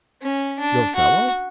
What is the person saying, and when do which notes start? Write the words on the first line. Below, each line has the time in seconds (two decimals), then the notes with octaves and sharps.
"Your fellow?"
0.22 C#4
0.59 D4
0.96 F#4